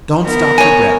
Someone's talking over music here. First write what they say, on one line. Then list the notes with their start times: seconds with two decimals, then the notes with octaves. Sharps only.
Don’t stop for breath.
0.24 B3 A#4
0.58 C#5 G#5